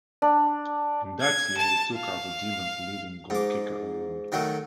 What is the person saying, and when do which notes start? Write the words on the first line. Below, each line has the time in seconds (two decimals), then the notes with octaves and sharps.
In that year he took out the Demons' leading goalkicker award.
0.22 D4
1.21 G#6
1.57 A5
1.94 F5
3.30 G#2 D6
4.32 D#3 F#3 A3